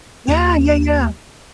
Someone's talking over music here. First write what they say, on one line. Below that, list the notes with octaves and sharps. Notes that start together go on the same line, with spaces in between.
yeah, yeah, yeah,
D#2